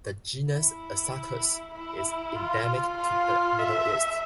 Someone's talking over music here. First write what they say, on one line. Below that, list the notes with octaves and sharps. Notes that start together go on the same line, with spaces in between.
The genus "Asaccus" is endemic to the Middle East.
E4
E4
F4
F4
E5